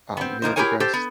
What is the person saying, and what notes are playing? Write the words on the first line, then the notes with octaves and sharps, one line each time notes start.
um, Neil deGrasse
B3 C4
E2 A#3 D#4 C5
E4 G4 G#4 A#4 C#5 G#5
G4 A4 C5
B3